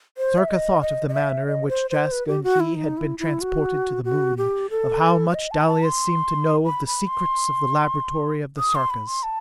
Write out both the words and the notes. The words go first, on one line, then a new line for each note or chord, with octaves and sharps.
Sarka thought of the manner in which Jaska and he had been transported to the Moon; of how much Dalis seemed to know of the secrets of the laboratory of the Sarkas.
C5
E5
D#5
D#5
D#5
E5
D#5
C5
C5
B4
G4
F#4
E4
D#4
E4
E4
F#4
F#4
G4
A4
C5
D#5
A5
A5
C6
B5
B5
C6
D#6
C6
B5
C6
A5